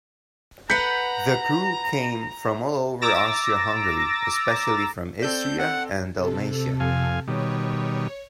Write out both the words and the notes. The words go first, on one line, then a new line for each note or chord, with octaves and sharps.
The crew came from all over Austria-Hungary, especially from Istria and Dalmatia.
B4 F#5 A#5 G6 B6 C#7
A#5 D6 E6 A6 A#6
C4 A4 D5 G6
F#5
C3 A4
F2 F5 G#5
B2 D#3 G3 C#5